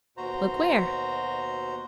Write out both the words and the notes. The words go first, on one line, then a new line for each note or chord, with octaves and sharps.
"Look where?"
D#2 B2 F#4 C5 A#5